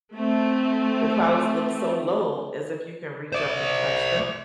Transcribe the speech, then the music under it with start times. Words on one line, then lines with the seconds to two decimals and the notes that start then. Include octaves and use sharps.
the clouds look so low as if you can reach up and touch them,
0.12 A3 C4
3.32 C5 D5